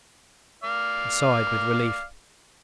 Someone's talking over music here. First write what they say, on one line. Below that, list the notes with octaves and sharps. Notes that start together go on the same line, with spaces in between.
He sighed with relief.
D5 F5